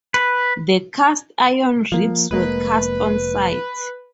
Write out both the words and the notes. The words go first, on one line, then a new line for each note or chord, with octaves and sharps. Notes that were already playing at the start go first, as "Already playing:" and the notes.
The cast iron ribs were cast on site.
B4
F3 A#3
F1 G#3 A#3 B4